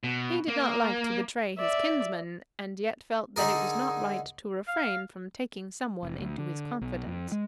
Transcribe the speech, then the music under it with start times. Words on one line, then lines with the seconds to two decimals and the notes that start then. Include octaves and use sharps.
He did not like to betray his kinsman, and yet felt that it was not right to refrain from taking someone into his confidence.
0.04 B2
0.48 A#3
1.58 D5 E5
3.36 D3 D#4 G#4 A#4
4.67 F5
6.03 F1
6.20 D2
6.38 D3
6.81 B1
7.07 F2
7.32 G#3